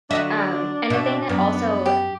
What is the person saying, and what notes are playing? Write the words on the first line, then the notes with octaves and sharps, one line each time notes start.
um, and the thing that also,
D3 F#3 D4 F#4 D#5 E5
B2 D5 E5
F#2 B3
G4